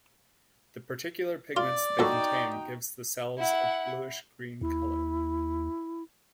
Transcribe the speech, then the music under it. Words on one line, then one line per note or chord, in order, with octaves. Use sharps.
The particular pigments they contain gives the cells a bluish-green color.
F4 D5
B1 D#4 F#4 A4 G5 C#6
E4 F#5
D#2 E4